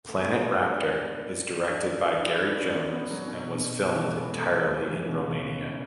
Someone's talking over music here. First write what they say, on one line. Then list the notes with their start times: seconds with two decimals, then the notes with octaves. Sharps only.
"Planet Raptor" is directed by Gary Jones and was filmed entirely in Romania.
0.08 A3
0.21 B3
0.34 G#3
0.48 D4
1.69 D4
2.22 E4
2.35 D4
2.48 D4
2.62 C#4
2.74 B3
2.92 B3
3.11 F#3
3.28 B2
3.55 B2
3.82 B2
3.95 E3
4.04 G#3
4.08 A3
4.22 B3
4.35 A3
4.62 G#3
4.89 E3
5.09 B2
5.16 C#3